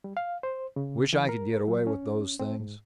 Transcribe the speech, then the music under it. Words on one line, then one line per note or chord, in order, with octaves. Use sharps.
Wish I could get away with those things.
G3
F5
C5
C#3
E3
A#4
F#3
C#4
C4
G#2